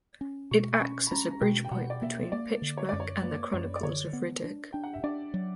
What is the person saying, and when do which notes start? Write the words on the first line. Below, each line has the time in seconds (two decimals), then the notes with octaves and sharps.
It acts as a bridgepoint between "Pitch Black" and "The Chronicles of Riddick".
0.21 C#4
0.51 B2 C#6
0.73 B5
0.81 C#4 C#6
1.07 B5
1.11 C#4 A#5
1.31 A#5
1.41 B2 G5
1.65 G5
1.71 B2 F#5
1.90 D5
2.02 A#3 E5
2.32 A#3 D5
2.62 D3
2.78 C#5
2.89 F#2 D5
3.00 C#5
3.23 A#3 B4
3.53 F#2 C#5
3.76 D5
3.83 D3 C#5
4.13 B3
4.44 D4
4.73 D4 G5
4.84 F#5
4.93 E5
5.04 D4 D5
5.34 F#3